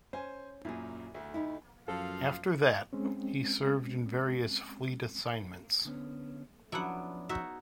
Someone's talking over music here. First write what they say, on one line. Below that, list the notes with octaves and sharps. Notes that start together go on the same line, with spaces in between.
After that he served in various Fleet assignments.
C#4 C5 G#5
F#2 A#2 E4 G#4
D2 A3
D#4 E4
F#2 F3 A4 F5
G#3 C4 C#4
D3 B3 C#4
F3 F#3 B3 C#4 D4 E4 F#5
D#4 F#4 C#5 E5